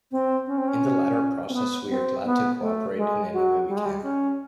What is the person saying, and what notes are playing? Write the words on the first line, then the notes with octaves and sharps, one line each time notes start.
In the latter process we are glad to cooperate in any way we can.
C4
C#4
C4
C#4
C4
B3
C4
B3
A3
G#3
F#3
G3
G#3
G3
C#4